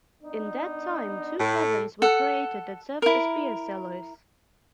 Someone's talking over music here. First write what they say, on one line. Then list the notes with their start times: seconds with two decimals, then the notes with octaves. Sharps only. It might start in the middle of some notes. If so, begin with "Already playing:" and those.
In that time, two caverns were created that served as beer cellars.
0.23 B3 D4 D#4
1.39 A2 A4
2.02 A4 F#5
3.02 E4 A#4